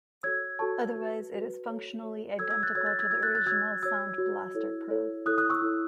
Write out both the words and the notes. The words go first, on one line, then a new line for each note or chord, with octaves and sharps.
Otherwise it is functionally identical to the original Sound Blaster Pro.
F#4 A4 C#5 E6 G#6
F#4 A4 C#5 A5 C#6
F#4 B4
F#4 B4
F#4 A4 C#5
F#4 A4 C#5
F#4 A4 C#5 E6 G#6
E6 G#6
F#6 A6
F#4 A4 C#5 E6 G#6
F#6 A6
E6 G#6
F#4 C#5 E6 G#6
F#6 A6
F#6 A6
F#4 C#5 E6 G#6
F#4 C#5 E6 G#6
F#4 C#5
E4 A4 C#5
E4 A4 C#5
E4 A4 C#5 D#6 F#6
D#6 F#6
C#6 E6
E4 A4 C#5